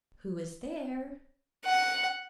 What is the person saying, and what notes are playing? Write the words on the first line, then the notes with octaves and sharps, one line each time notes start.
"Who is there?"
F#5